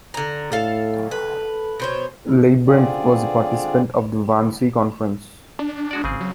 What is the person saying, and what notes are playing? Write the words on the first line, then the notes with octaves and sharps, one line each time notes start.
Leibbrandt was a participant of the Wannsee Conference.
D3 A#5
A2 A4 F5
A4 B4
B2 C5 C#5
D3 C4 F4 G#4 D5
D4
G#3 F#4 D5
G#1 C#3 C4 G#4
F#3